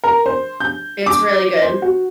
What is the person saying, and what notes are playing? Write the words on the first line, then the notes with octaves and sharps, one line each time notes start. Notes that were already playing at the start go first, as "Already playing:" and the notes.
it's really good.
A#4
C5
G6
D6
C5
F#4